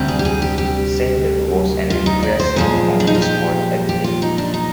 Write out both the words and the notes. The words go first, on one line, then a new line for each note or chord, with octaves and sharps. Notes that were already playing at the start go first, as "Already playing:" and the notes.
Seiler was an impressive multi sport athlete.
Already playing: D2 C3 G3
G#4
G4
G#4
G4
G4
F4
D#4
D5
C5
A#2 F3 G#3 G#4
D4
D#4
F4
G4
G4
F4
D#4
D4
D#4